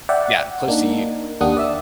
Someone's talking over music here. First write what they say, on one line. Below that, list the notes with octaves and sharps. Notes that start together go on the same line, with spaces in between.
Yeah, close to you.
D5 E5 F#5 G5
F#5
A#3 D4 D#4
D#2 A#3 D4 G4 F#5 D#6
D5 E5 E6